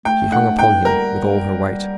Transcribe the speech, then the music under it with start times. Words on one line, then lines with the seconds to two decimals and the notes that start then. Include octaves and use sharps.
She hung upon him with all her weight.
0.05 A3 G5
0.32 F#5
0.59 G5
0.84 G3 A#4